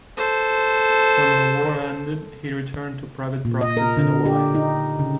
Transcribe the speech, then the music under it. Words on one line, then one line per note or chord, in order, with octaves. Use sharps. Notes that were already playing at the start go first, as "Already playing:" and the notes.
When the war ended he returned to private practice in Hawaii.
A4 C5
A#2
D#5
A#4
D3
G4
D#4
C#3